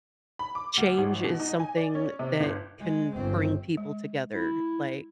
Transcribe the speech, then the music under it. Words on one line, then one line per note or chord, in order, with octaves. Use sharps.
change is something that can bring people together, like,
B5
D6
D2
G#1
B2
D#4
G#5
D5
C#4
C3
G1
G#3
G1 C4
G#3
E4